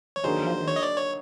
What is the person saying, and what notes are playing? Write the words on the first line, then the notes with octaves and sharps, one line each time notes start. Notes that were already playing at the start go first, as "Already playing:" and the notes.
Keep your head up.
C#5
D3 F#3 A#3 D#4 G#4 C5
C#5
D#5
D5
C#5